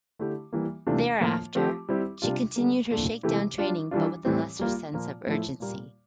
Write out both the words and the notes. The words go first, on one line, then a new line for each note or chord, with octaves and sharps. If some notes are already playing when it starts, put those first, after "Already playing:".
Thereafter, she continued her shakedown training but with a lesser sense of urgency.
D3 A3 E4 G4
E3 G3 A#3
C3 E3 A3 D4 F4
A2 F3 A#3 F4
F3 A3 C4 G4
G3 C4 E4 G4
C3 G3 D4 F4
D3 G3 A#3
A#2 A3 D4
C3 E3 A3 E4 G4
G3 D4 F4
E3 G3 D4 F4
A2 E3 G3 C4
G3 A#3 F4
A#2 F3 A#3
A2 F3 A3 E4
A#2 G3 A#3